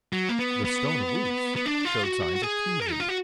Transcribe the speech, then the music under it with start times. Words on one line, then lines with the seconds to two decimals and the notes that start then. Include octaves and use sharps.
The stone of Luce showed signs of fusion.
0.13 F#3
0.29 A#3
0.39 B3
0.65 B3
1.56 B3
1.66 D4
1.85 F4
2.03 F#4
2.23 F#4
2.35 F#4
2.42 G#4
2.80 A#4
2.91 D#4
3.00 F4
3.09 F#4